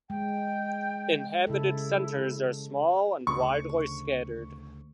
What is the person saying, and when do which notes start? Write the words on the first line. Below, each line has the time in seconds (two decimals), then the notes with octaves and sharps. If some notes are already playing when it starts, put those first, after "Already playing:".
Inhabited centers are small and widely scattered.
0.10 G#3 G5
1.47 C#3 E4 A4
3.27 D2 C#3 C#6